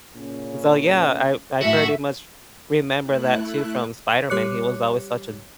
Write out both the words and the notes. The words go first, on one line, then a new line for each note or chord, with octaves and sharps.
So, yeah, I I pretty much remember that too from Spider-Man. He was always such a
A#2 C#3 C#4
F#2 A2 F#4 E5
A3 E4 F#6
G3 G4 C#5 D6 F#6 C#7